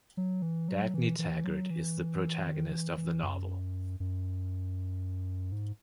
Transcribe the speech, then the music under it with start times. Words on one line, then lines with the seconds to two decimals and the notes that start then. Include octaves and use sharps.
Dagny Taggart is the protagonist of the novel.
0.17 F#3
0.42 E3
0.68 F#3
0.94 E3
1.19 E3
1.44 F#3
1.70 E3
2.47 D#3
2.72 E3
2.97 E3
3.23 F#2
4.00 F#2
5.52 G#2